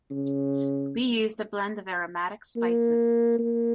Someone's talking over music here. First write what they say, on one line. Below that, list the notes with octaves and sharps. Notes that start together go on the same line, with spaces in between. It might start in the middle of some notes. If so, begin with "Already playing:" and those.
We used a blend of aromatic spices.
C#3
A#3
A#3